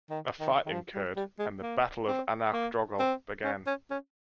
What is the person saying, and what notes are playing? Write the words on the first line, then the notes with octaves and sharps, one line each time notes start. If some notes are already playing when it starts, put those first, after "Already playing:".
A fight incurred and the Battle of Annaghdroghal began.
D#3
D#3
D#3
F3
G3
G3
G#3
A#3
C4
A#3
C4
C#4
C#4
C#4